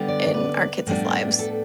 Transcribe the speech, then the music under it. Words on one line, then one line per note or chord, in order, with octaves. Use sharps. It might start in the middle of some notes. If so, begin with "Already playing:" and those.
in our kids' lives.
Already playing: D3 G3 B3 D4
D5
D5
B4
A2 G3 B3 D4
A4